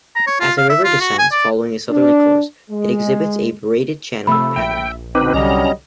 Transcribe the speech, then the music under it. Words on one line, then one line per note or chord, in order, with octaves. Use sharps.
As the river descends following a southerly course, it exhibits a braided channel pattern.
A#5
C#5
F4
F5
E5
F4
F#4
G#5
D5
D4
G#3
C3 F3 A3 B5 E6
A#1 E5 G5
B2 D3 C4 D#4 B4 D6
C2 D3 F#3 G3 C#4 D#5 A#5